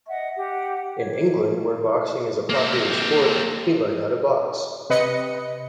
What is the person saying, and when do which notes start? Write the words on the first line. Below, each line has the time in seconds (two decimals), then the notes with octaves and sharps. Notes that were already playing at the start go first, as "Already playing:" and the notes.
In England, where boxing is a popular sport, he learned how to box.
0.09 D#5 E5 F#5
0.38 G4 F#5
0.96 C#5
2.50 A#3 C4
4.90 C3 B4 D#5 C#7